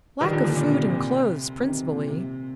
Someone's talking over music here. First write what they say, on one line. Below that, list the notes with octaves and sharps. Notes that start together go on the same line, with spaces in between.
"Lack of food and clothes principally."
D#3 G3
D3 F3
A#2 D3
A#2 D3
C3
C3 D#3
A#2
C3